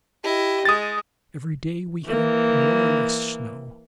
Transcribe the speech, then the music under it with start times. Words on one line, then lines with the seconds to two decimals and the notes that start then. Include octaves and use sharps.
Every day we had more or less snow.
0.24 E4 G4 D#5
0.65 G#3 D#6 A6
2.07 E3 A#3